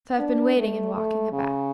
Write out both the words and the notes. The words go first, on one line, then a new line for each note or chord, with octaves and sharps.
So I've been waiting and walking about.
D4
A3
A3
C#3